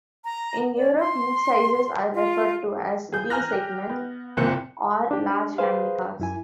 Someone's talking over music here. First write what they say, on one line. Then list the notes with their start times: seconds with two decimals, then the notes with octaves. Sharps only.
In Europe mid-sizers are referred to as D-segment or large family cars.
0.25 A#5
0.77 D5
1.00 C6
2.15 F4
3.12 G#4 G6
3.30 G#5 A#5 F6 F#6 A#6
3.52 G4
3.89 B3
4.37 F#1 C2 A#2 C4 F#6 C#7
5.11 D4 G4
5.58 G#4 B4 C5 F5
6.19 F#2 E4 G#5